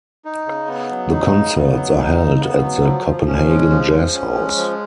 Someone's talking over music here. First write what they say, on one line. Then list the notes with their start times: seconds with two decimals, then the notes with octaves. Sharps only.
The concerts are held at the Copenhagen Jazz House.
0.25 D#4
0.46 C#3
0.68 B3
0.90 F#3
1.11 D#4
1.33 C#3
1.55 B3
1.75 F#3
1.98 D#4
2.19 C#3
2.40 B3
2.62 F#3
2.84 F3
3.05 F3
3.27 C#4
3.49 G#3
3.70 F3
3.92 F3
4.13 C#4
4.35 G#3
4.57 F3